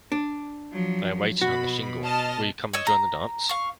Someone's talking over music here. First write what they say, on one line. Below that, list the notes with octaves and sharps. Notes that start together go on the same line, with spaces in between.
They are waiting on the shingle—will you come and join the dance?
D4
F3 F#3
B2 F#4 B5
D#5 A5 F6
C#5 D#5 E6
A#5
F5 C#6